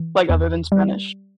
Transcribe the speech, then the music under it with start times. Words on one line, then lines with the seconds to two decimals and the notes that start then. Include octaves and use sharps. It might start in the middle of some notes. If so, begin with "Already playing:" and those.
Like other than Spanish?
Already playing: E3
0.29 E2
0.72 G3